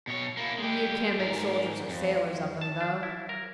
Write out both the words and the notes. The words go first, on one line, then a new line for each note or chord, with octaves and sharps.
"You can't make soldiers or sailors of them, though."
B2 C#5
A#3 E4
G#3 G4
G#2 A#4
F2
A5
D4
E4
A#4